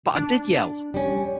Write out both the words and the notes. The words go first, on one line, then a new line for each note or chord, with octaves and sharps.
But I did yell.
D4
G3 C#4